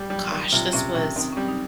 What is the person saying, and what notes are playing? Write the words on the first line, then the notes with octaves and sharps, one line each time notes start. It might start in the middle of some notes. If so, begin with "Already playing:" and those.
Gosh, this was
Already playing: G3
G3
D#3
C3 F4
C3 C#4
C3 C#4
D#3 C4
C#4
G3 C4
D#4